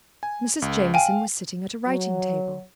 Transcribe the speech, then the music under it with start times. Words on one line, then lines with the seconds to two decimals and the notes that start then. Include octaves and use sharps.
Mrs. Jameson was sitting at a writing-table.
0.23 G#5
0.62 C#2
0.94 F5 G5 G#5
1.87 F#3